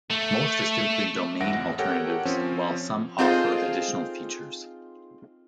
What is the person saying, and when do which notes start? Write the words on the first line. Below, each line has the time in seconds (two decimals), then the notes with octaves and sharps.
Most are simply domain alternatives while some offer additional features.
0.10 A3
1.40 A1 F2 E5 F#5 A#6 D7
1.79 G4 A4 A#4 C#5 F#5 G5
2.25 F3 C4 C#4
3.18 C4 D#4 F4 G#4 A4 C5